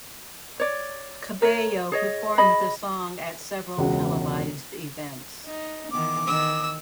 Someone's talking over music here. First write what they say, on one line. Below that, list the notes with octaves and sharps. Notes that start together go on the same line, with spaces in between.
Cabello performed the song at several televised events.
C#5 D5
A#4 C#5
G#4 C#5 D#5
G#4 D#5 B5
E1 C#2 B2 F#4
D#4
D#3 E3 B3 D6
D#3 E6